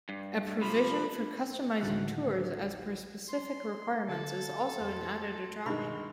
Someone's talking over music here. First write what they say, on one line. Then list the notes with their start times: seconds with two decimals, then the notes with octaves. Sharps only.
A provision for customising tours as per specific requirements is also an added attraction.
0.09 G2
0.61 C3 F3 B5
1.81 A1 D2 D#3 F#3 G#3 F#5
3.29 C6
4.09 D3 A4
4.80 F2 C6
5.66 G2 B2 D#3 G#3 B5 C#6